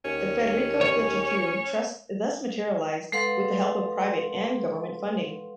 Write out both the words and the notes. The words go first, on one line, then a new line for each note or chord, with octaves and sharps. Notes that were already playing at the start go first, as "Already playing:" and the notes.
The Federico Degetau Trust thus materialized with the help of private and government funding.
D#2 C#4
C#5
G#3 A4 B4 F5 F#5 C6